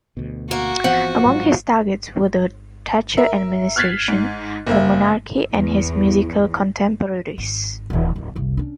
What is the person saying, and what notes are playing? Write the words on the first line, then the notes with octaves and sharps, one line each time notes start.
Among his targets were the Thatcher administration, the monarchy, and his musical contemporaries.
D2 B2
A#3 F#4
E3 F3 B3 C4 F#5
G#2 F#3 G#3
A#4 E5
F6 F#6 G#6 A6 B6 C7
G#2
F#1 A#3 E5
E2
G#1
D#1 E3
D1 D3
F#1 C2
C#4 D4